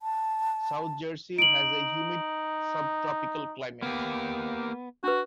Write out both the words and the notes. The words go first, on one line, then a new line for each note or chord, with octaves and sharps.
South Jersey has a humid subtropical climate.
A5
D#4 D7 F#7
A#3 B3 G4
D4 F#4 B4